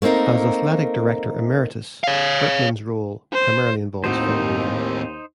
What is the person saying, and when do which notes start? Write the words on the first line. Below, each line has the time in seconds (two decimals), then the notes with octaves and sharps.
As athletic director emeritus, Bertman's role primarily involves fundraising.
0.02 A3 A#3 C4 D#4 A#4
2.04 C#5 F5
3.33 C5
4.04 D#2 A2 D#3 C4 D#4 F#4 C5